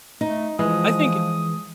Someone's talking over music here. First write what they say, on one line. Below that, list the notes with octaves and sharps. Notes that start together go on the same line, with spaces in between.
I think,
A3 D#4
E3 F3 G#3 D#6